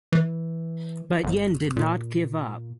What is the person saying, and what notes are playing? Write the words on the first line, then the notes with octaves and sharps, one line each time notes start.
But Yin did not give up.
E3
G1
A#2